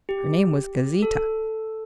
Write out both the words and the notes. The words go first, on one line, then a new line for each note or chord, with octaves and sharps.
Her name was Gauzita.
G4
A4